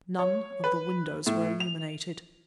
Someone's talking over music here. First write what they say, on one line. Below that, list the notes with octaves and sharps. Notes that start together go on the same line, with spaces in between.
None of the windows were illuminated.
C#5
B4
A2
F7